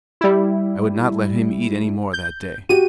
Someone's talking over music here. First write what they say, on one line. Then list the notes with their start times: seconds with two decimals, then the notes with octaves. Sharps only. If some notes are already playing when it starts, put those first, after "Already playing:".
I would not let him eat any more that day.
0.21 G3 E4
2.13 G6
2.69 F#4 G4 D#7